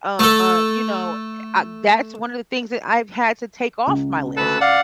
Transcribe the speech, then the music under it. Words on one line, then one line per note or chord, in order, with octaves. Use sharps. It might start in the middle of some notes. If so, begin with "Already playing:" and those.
uh, you know, uh, that's one of the things that I've had to take off my list.
A3 A4
C#2
D2 A4 B4 F#6
D5 F5 F#5